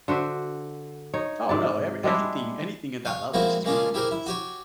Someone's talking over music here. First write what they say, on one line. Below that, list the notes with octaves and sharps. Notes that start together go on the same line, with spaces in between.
Oh, no, every anything- anything at that level is just ridiculous.
D3 F#4 C5 E5
D#4 C#5
G#2 C3 D5
G3 G#3 D4 E4
C#5 F5
F3 G#3 A#3 C4 E4 F#4
G#3 A#3 C#4 D4 F4 G#4
E4 G4 G#4 A#4 C5
E4
F#4 G4 C#5